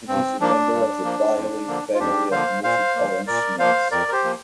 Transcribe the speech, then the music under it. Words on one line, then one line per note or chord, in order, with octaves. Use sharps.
It is a member of the violin family of musical instruments.
G2 C4
F3 A#3 D4
G2
F3 A#3
F2
D3 F3 A#3
F4
F2 D4 G4
D3 F3 A#3 C5 F5
A#2 C5 F5
F3 A#3
A#2 A#4 D5
F3 A#3 C5 F5
F2 A#4 D5
A#4
G4 C5
F3 A#3